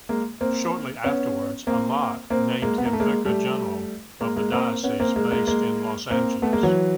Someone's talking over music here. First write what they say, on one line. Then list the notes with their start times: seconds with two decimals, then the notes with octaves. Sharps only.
Shortly afterwards, Amat named him Vicar General of the diocese, based in Los Angeles.
0.09 G#3 A#3
0.41 A#3 C4
1.04 B3 C#4
1.67 A#3 C4
2.30 A#3 C4
2.62 G#3 A#3
2.78 B3
2.85 A#3
2.93 A3
3.00 G#3 A#3
3.25 G3 A3
4.21 G#3 A#3
4.36 G#3 A#3
4.52 A#3 C4
4.83 B3 C#4
5.00 A#3 C4
5.16 G#3 A#3
5.31 G#3 A#3
5.47 G#3 A#3
6.11 A#3 C4
6.42 A3 B3
6.53 G#3 A#3
6.63 E3 F#3